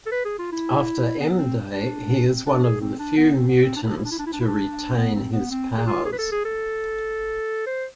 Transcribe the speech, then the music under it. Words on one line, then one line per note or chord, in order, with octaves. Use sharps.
After M-Day, he is one of the few mutants to retain his powers.
A4
B4
G#4
F4
E4
B3
B3
C4
D4
C4
D4
G#4
C4
D4
B3
C4
B3
C4
D4
E4
D4
E4
D4
E4
D4
E4
D4
E4
D4
B3
C4
B3
C4
G#4
F4
G#4
B4
A4
G#4
A4
C5